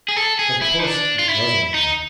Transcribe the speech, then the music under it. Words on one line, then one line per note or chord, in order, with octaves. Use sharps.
Of course it was all right.
G#4
A4
G#4
E4
D#4
D4
F4
E4
D#4